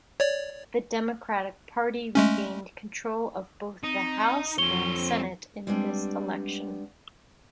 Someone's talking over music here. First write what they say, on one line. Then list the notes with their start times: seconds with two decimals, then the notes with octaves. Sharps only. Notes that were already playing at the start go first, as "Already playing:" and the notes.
The Democratic Party regained control of both the House and Senate in this election.
0.20 C#5 D5
2.15 G#3 A3 C#4
3.83 C4 D#4
4.58 F2 C4 C#5 G7
5.67 G3 G#3 B3 C4 D4